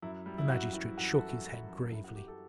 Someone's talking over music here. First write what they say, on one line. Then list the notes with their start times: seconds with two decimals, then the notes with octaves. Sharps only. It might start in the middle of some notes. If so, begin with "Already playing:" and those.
The magistrate shook his head gravely.
0.02 F#2 E4
0.26 G3 E4
0.38 E4
0.50 F#2 F#4
0.73 E3 F#4
0.98 F#2 F#4
1.13 A4
1.21 E3
1.29 F#4
1.44 F#2 E4
1.68 F#2
1.92 F#2 E4
2.04 F#4
2.15 F#2 G4
2.28 A4